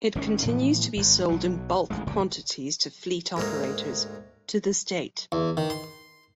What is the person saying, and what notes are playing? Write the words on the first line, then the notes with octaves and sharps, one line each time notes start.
It continues to be sold in bulk quantities to fleet operators, to this date.
G#1 D#3 C4 C#4
A2 E3 F3 B3
G#1 G#2
B1 F#3
A1 D2 G#3
F1 C#2 A#2 G3
D2 G#2 A#3
E2
D#3
C6